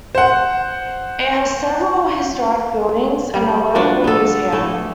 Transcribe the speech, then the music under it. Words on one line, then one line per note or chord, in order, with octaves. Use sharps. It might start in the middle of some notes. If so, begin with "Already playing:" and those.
It has several historic buildings and a local museum.
C5 F#5
G3
F3 D4 F#4
B3 A4
E3 A3